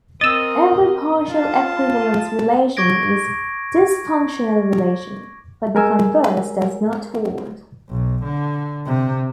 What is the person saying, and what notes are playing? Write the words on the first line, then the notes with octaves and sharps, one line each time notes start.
Every partial equivalence relation is a difunctional relation, but the converse does not hold.
C4 A#4 D#5 E6 A6
F4 A5
C#6 D6 G#6 A#6 D7
G#3 A#4 G#5 E6
B1
D3
C3